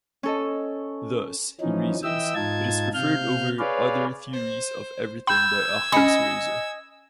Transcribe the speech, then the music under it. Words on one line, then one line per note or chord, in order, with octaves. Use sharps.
Thus, he reasons, it is preferred over other theories-of-everything by Occam's Razor.
C#4 A4 D#5
E3 F3 C#4 D#4
E3 D#5 E5 G5 E6
G#2 D#4 F4 A5 G#6
C3 F5 F6 G6
G#4 B4 C#5 D5 F5
C5
G5 B5 E6 G6 G#6
C#4 D#5 G#5 B5 C#7